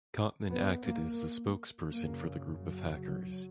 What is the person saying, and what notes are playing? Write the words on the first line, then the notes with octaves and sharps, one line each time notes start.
Kottmann acted as the spokesperson for the group of hackers.
B3
A#3
F#2 C#3 A#3
F#3